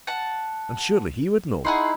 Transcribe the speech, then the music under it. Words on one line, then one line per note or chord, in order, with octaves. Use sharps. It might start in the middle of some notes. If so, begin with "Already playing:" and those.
"And surely he would know!"
F#5 A5
D#4 E4 G#4 F#5 C6